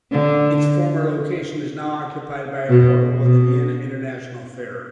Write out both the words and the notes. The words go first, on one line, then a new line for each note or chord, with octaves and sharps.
Its former location is now occupied by a portal of the Vienna International Fair.
D3
B2
B2